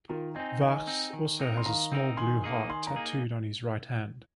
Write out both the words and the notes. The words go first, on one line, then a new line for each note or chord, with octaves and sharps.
Vachss also has a small blue heart tattooed on his right hand.
D#3 F4 A#4
C4 D#4 D#5 G#5
D#3 D#5 G#5
C4 D#4
D#3
C4 D#4 A#4
C6
D#3 F5 A#5
C4 D#4 A#4
D#3 G#5 C6
A#3 D#4 G#4
D#3 G#5 C6
F5 A#5
A#3 D#4 G#4